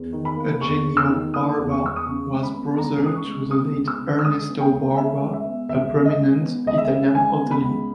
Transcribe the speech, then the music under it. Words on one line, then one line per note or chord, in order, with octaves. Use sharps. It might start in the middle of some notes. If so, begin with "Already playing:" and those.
Eugenio Barba was brother to the late Ernesto Barba, a prominent Italian hotelier.
Already playing: E2
D#3
B5
A#3
E2 C#6
E2
E6
D#3
A#3 D#6
E2
C#6
E2 E6
D#6
C#3 C#6
G#3
B5
B3
C#2 A#5
C#3 D#6
C#6
G#3
B3 D#6
C#2
E6
C#3
E6
G#3 D#6
B3
G5
C#2
C#3 E5
G#3
E5
B3
C#2 E5
C#3
D#5
G#3
B3
C#2 D#5
E5
C#3
G#3 G#5
B3
B5
C#2